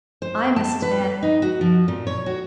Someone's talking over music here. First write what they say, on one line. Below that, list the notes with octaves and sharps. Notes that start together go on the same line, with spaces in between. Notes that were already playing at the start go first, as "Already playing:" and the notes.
'I, Mrs. Mann.
C5
A5
B4
D#4
F#4
F3
A#2
C#5
F#4